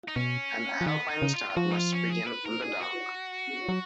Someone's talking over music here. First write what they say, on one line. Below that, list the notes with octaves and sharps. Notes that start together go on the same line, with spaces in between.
An "Alpine Start" must begin in the dark.
D#4
B2 C#4
F3
D#3 B3
D#4
C#3
F4
F4
F3 F#4
D#4
F4
C#4
G#4
B4
A#4
G#4
F#4
F#3